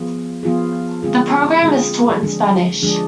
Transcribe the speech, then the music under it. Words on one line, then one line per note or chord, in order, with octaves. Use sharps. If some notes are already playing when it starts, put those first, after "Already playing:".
The program is taught in Spanish.
Already playing: F3 B3 F4 G#4
F3 B3 F4 G#4
D3 G#3 C4 F4 G#4
D3 G#3 C4 F4 G#4
D3 F3 G#3 D4 G#4
D3 F3 G#3 D4 G#4